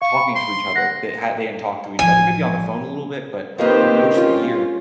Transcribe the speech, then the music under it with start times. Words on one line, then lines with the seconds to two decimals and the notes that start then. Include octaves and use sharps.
talking to each other that ha they didn't talk to each other maybe on the phone a little bit, but for most of the year
0.02 F5 C#6
0.15 B5
0.35 C6
0.76 F#5 A#6
1.99 A1 F3 G#5
3.58 D#3 F3 A#3 C4 D#4 G4 B4 C5
4.09 C#4 F4